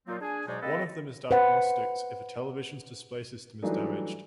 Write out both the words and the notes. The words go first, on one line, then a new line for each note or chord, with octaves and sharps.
One of them is diagnostics if a television's display system is damaged.
A#2 F#3 A#3 C4 D#4 F4
D4 G#4 G#5
G#2 B2 F#3 G#3 D#4 D5
A#3 C4 G#4 A4 B4 D#5
B4 C5 F#5
E3 F#3 G3 A3 D4 D#4